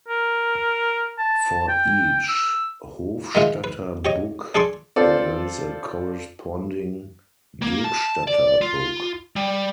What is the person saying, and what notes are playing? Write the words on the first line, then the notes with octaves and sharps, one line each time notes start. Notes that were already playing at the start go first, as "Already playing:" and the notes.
For each Hofstadter book, there is a corresponding Gebstadter book.
A#4
A5
G5
E6
D#3 G#3 E4 F4
B4
G4 C#5 D#5
D4 G#4 A4 D5 C6 C#6
C4 F4 A4 D5
A#3
A5
D5
F4
G3